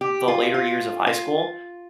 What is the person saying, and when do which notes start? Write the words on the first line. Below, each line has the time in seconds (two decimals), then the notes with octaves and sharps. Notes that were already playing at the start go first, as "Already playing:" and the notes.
the later years of high school,
0.01 G4
0.28 F4
0.54 F4
1.07 F4